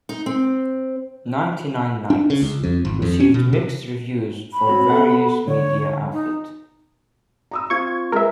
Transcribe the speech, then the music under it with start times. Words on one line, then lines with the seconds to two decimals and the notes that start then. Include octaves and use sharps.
"Ninety-Nine Nights" received mixed reviews from various media outlets.
0.09 D#4
0.26 C4
2.10 D4
2.30 C#3
2.42 C#2
2.63 F2
2.85 G#1
3.02 F2
3.20 C#4
3.34 B2
3.53 C3
4.53 B5
4.67 C4 F#4 C#5
4.90 B3 A4 F#5
5.48 D3 C#5
6.12 D#4
7.51 A#5 D#6 E6
7.70 C4 F4 C#6 G#6
8.12 G#3 G#4 A#4 B4 E5